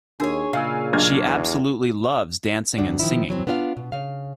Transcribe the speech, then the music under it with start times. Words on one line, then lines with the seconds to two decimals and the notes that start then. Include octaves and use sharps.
She absolutely loves dancing and singing.
0.20 D#2 D4 F#4 G#4 A#4 C#5
0.53 A#2 C#3 D#5 F5 G#5 E6
0.93 B1 D4 G4 D#5 F6 G#6
1.25 E2
2.78 D2 G2 D4 F#4
2.99 D#3 F3 E4
3.29 E3 F#3 G3 C4
3.47 B3 D4 F4 E5 F5
3.77 B2
3.92 C#3 F5